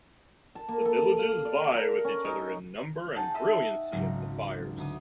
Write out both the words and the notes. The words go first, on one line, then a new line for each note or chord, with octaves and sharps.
The villages vie with each other in the number and brilliancy of the fires.
A5
A#3
A4
F5
D5
A#4
C#4
D#4
D#4 G#4 F#5 G5 A5
D#5 E5 A5 B5 E6
G#1 C#2 F#3 D#4 F6
D2 D#6